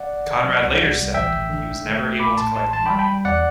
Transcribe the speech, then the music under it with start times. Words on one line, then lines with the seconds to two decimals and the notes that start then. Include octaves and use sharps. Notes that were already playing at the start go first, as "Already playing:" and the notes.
Conrad later said he was never able to collect the money.
Already playing: D5 F#5
0.09 G1
0.26 D3
0.44 F#3
0.62 C2
0.80 C2
0.97 C2
1.14 A1 E5 G5
1.32 A1
1.49 D3
1.67 B1
1.84 A3
2.02 A3
2.19 A1 B5 D6
2.37 A2 A5 C6
2.55 A1 A5 C6
2.73 E3 A5 C6
2.86 G5 B5
2.90 G3 A5
2.99 G5 B5
3.08 G3
3.25 E2 D5 F#5